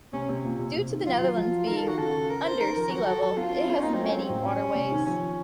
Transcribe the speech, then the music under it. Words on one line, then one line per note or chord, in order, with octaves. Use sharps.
Due to the Netherlands being under sea-level, it has many waterways.
C3 C#4
C3
A#2
C3
C3
D#3
F#3 F4
F#3
F3
D#3 A#4
A4
D#3 F#4
C#3 A4
C#3
A#4
C5
D#3 A#4
F3 A#4
F#3 F#4
A4
F#3 A4
C4 F4
C#4
C4
C#4
A#3 D#4
F#3 C4
A3
C#4
F#3 C4
A2
C#4
C3
D#3
F3 C#4